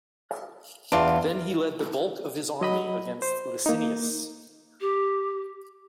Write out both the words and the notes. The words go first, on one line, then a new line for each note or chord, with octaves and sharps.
Then he led the bulk of his army against Licinius.
E2 D4 F4
F#3 D#5 B5
C5
A#3 D#4
G4